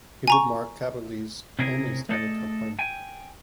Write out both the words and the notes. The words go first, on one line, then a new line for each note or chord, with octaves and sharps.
It would mark Kaberle's only Stanley Cup win.
G#5 A#5 C#6
C3 C#4 E4 G#4 A#4
A3 G#4 A4 B4 D5 D#5
G5 G#5